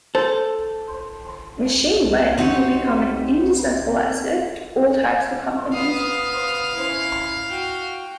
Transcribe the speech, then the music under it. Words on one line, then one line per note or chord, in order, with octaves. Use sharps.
Machine Learning will become an indispensable asset to all types of companies.
A4 C5
C4 D#4 F#4 G4 C#5
B3 F5 D#6
C#4 E4
F#4 G5